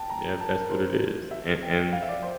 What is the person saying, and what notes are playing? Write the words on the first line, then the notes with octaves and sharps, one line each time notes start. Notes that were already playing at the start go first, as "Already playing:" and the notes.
Yeah, that's what it is. A and
Already playing: G5 A5
A#5
A5
A#4
C5
E5
G5
F5
E5
D5
C5